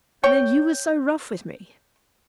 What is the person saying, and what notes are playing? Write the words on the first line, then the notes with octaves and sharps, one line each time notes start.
And then you was so rough with me!
C#5 G5